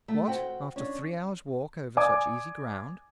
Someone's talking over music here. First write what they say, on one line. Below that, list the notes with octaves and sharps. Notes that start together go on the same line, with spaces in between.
"What! after three hours' walk over such easy ground."
A3
F#4 C5 G5
C#4 D4
D5 G#5 D6 D#6